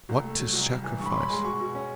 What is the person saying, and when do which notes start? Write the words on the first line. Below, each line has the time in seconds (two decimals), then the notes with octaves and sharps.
What to sacrifice!
0.09 C2
0.24 A3
0.39 F#3
0.53 C2
0.70 G3
0.84 E3
0.99 G2 C#6
1.06 B5
1.10 C#4 C6
1.22 B5
1.30 G#3 C6
1.44 B2 C#6
1.60 B2
1.75 C#4